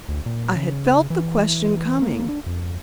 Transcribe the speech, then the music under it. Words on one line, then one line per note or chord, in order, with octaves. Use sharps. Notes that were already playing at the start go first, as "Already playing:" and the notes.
I had felt the question coming.
D2
A#2
C#3
E3
A#3
D4
F2